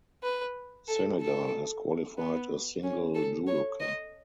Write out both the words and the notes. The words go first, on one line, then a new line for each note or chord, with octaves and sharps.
Senegal has qualified a single judoka.
B4
A4
A4
B3
C#4
A4
C#5
D#5